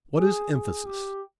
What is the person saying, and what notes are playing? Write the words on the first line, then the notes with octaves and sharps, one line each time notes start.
What is emphasis?
G#4
G#4
G4